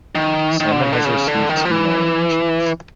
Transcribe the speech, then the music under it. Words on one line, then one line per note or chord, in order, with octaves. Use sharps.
Simon has received two nominations.
D#3
D#3
D3
C#3
D3
C#3
D3
D#3
F3
E3